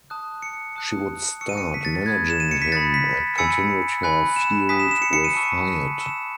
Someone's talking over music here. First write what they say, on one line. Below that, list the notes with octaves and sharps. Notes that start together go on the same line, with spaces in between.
She would start managing him and continued her feud with Hyatt.
A5 D#6 F#6
C#7
A5 D#6 F#6 C#7
A5 C#6 E6 C#7
D#7
C#7
B6
A6
A6
B5 D#6 F#6 G#6
E7
D#7
C#7
B6
B5 D#6 F#6 A6
B6
G#5 B5 E6 C#7
G#5 B5 F#6
E7
G#5 D#6 F#6 B6
E7
E7
C#7
C#7
D#7
A5 C#6 E6
A5 E6 E7